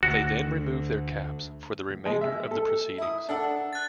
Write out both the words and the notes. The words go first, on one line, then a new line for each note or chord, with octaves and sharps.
They then remove their caps for the remainder of the proceedings.
D2 F#4
G#3
E5
A4
E4 D#6
D4 A4 F#5
F#6 A6